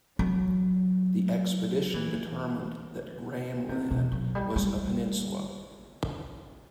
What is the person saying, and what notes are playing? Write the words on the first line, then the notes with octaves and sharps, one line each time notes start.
The expedition determined that Graham Land was a peninsula.
F#3
E3
C3
B2
F#3
G3
G3